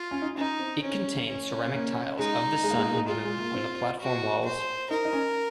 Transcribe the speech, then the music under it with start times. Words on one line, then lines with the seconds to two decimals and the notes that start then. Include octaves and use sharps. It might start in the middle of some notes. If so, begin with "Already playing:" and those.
It contains ceramic tiles of the sun and moon on the platform walls.
Already playing: F4
0.11 C#4
0.22 D#4
0.37 C#4 D#4
0.60 C4
0.83 C#4
1.28 C#4
1.73 A#3
2.18 G#3 D#4
2.63 G#3
2.71 A#3
2.78 G#3
2.85 A#3
2.92 G#3
3.09 G#3 F4
3.24 G#3
3.40 A#3
3.54 C4
4.00 F#4
4.45 C5
4.90 D#4 A#4
5.05 D#4
5.13 C#4